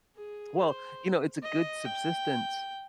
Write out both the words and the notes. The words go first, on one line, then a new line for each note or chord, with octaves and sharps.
Well, you know, it’s a good subsistence,
G#4
C5
D#5
G5